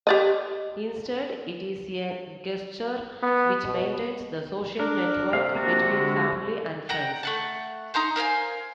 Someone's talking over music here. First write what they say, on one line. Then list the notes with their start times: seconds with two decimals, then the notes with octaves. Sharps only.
Instead, it is a gesture which maintains the social network between family and friends.
0.07 G4 D5 D#5
3.22 B3
3.65 B2
4.80 D4 A#4
5.33 C3 F5
5.55 A#3 D4 F#4
5.83 D3 G#3 F#4
6.89 F#5 G5 A#5
7.23 A3 F#5 A5
7.94 D#4 A#5 C6 G6
8.16 A#4 C5 F5 G#5